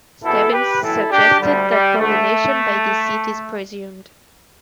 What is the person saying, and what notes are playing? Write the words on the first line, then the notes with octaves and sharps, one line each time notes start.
Stebbins suggested that pollination by deceit is presumed.
E2 B2 E4 A4
G4 B4
B1 A2 E3 E4 A4
D4 G4
D2 D3 G3
G3
D2 D3 A3